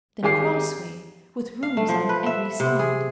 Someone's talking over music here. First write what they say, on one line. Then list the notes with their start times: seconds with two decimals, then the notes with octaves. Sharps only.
Then a crossway, with rooms on every side.
0.23 G#1 G4 G#4 D6 C7
1.63 F5
1.77 A3
1.89 F3
2.09 B4
2.26 E5
2.60 C3
2.79 G#4